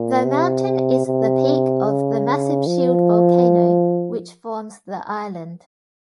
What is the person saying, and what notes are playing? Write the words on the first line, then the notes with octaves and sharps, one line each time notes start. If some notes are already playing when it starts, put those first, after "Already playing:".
The mountain is the peak of the massive shield volcano which forms the island.
Already playing: A#2
C3
C3
C#3
F3